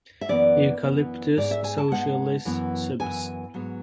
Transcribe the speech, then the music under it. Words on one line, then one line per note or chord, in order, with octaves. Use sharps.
Eucalyptus socialis subsp.
E5
F#2 E3 B3 D5
F#2 E3 B3
G#2 G#3 B3 D5
E5
G#5
A5
G#2 G#3 B3 F#5
F#2 E3 B3
F#2 E3 B3 G#5
G#2 F#3 B3